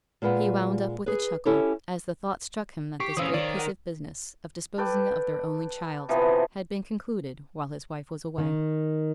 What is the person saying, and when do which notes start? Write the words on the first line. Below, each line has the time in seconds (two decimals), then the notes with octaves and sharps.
He wound up with a chuckle, as the thought struck him that this great piece of business, of disposing of their only child, had been concluded while his wife was away.
0.22 A#2 G#3 F4 B4 F#5
1.06 G#4 B4
1.45 C#4 E4 G4 A4 C#5
3.00 G4 C#6 B6 C7
3.17 E3 C#4 C5 C#5 F5 D#6 E6
3.34 D#3 D5
3.57 A#4 F#5
4.78 A4 B4 D5 G5
6.09 C3 E3 F3 B3
8.38 D#3